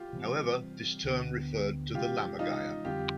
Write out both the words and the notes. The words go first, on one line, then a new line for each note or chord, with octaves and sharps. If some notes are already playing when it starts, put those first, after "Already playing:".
However, this term referred to the Lammergeier.
Already playing: F4 G4
C3 E3 G3 C4
D2 D3 F#3 B3
C3 E3 G#3 C#4 F4 G4
D#4 F4
F2 D3 G3 C4 F4 G4